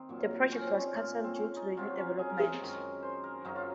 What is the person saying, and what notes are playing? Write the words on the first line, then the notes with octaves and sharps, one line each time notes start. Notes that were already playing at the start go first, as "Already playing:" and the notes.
That project was cancelled due to the new developments.
Already playing: D#3 C4 D#4
A#2 F#3
C#4
C4
C#4
A#2 G#3 C#4
C4
C#4
D#4
C3 F#3 F4
C#4
G#4
A#4
G#4
F#2 D#3 G#3
C5
A#4
F#2 C#3 F#3 D#4
F4